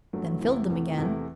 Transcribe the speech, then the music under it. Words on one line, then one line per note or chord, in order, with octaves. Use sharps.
Then filled them again.
A1 G2 F#3 A3
E2 C3 E3 A3 E4
E2 C3 E3 A3
E2 C3 E3 A3 E4